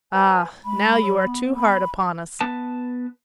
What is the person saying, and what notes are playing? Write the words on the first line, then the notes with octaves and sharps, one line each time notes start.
'Ah, now you are too hard upon us!
B4 C5 G#5
G#3 B5
F#3
B3
B5
B3 B4 A5